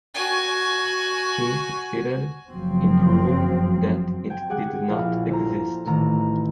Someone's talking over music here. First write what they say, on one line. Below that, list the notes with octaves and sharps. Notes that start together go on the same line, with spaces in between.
He succeeded in proving that it did not exist.
F#4 G#5
F#1 F3 F#3 C4
G5 G#5
G4 G#4 F#5 G#5
A#1 E4 F5
A4 C5 A#5
A1 D#3 A3 A#5